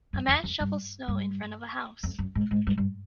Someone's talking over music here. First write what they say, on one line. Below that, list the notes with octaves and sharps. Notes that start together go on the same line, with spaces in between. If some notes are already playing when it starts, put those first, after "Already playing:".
A man shovels snow in front of a house.
F#2
E2
F2
G2
G2
F2
F#2
G#2
G#2
G2
G2